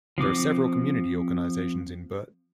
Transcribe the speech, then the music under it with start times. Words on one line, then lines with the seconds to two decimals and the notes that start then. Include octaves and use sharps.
There are several community organizations in Burt.
0.18 F3 C4 D6